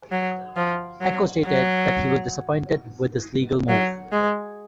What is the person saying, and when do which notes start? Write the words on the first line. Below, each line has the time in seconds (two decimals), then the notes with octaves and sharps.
Ecko stated that he was disappointed with this legal move.
0.12 F#3
0.56 F3
1.01 F#3
1.45 F#3
3.68 F#3
4.12 G#3